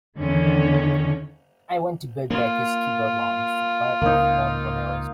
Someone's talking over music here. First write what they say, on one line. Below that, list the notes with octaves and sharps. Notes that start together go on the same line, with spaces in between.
I want to book Baker's Keyboard Lounge for clare and yvonne ramirez.
E2 D3 D#3 C#4
A#3 F4
C#2 A#3 D#4